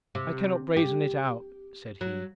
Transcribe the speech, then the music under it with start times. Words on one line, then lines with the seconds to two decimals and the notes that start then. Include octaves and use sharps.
'I cannot brazen it out,' said he.
0.15 C3
0.77 G4
2.01 F#3